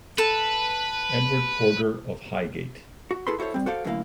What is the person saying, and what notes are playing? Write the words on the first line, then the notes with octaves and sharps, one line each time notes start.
Edward Porter of Highgate.
A4 B4
F#4
E4 G#4 A4 B4 B5 C6
E4 F#4 A4 C5 C#5
G3 C4
F#4 A4 C5 D5 F5
F#2 D3 A3 A#3 E4 F5